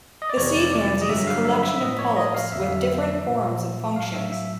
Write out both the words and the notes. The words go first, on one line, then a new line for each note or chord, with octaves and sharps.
The sea pansy is a collection of polyps with different forms and functions.
D#5
D5
F2 C3 E3 C#5
D5
D5
D#5
G2 D3 F#3 E5
F5
E5
E5
A2 F3 D#5
C#5
D#5
F5
F2 D3 F#3 E5
F5
E5
A#2 F3
A2 F#3 F5
E5
E5